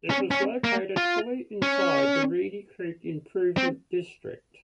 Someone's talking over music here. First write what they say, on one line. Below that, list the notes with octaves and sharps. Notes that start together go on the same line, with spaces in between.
It was located fully inside the Reedy Creek Improvement District.
C#4
C#4
A#3
F4
C#4
C4